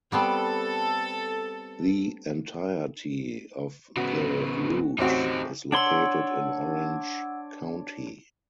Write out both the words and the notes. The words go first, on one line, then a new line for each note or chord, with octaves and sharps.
The entirety of the route is located in Orange County.
G3 B3 C4 A4
C#3 B3 F#4
A1 C4 D#4 F#4 G4
D4 C#5 F#5 C6 E6